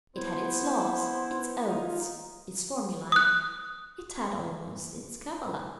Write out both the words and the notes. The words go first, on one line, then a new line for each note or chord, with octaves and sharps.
It had its laws, its oaths, its formulae--it had almost its cabala.
B3 E4 C5
D#4 F4
D#6 F#6